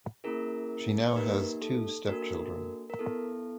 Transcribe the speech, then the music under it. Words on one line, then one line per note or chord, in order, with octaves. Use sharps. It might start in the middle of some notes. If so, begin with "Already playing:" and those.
She now has two step children.
A#3 C#4 E4 G#4 A#4
B4
A#3 D#4 G4 A#4
A4
A#3 D4 F#4 A4 A#4
A#4
B3 E4 A4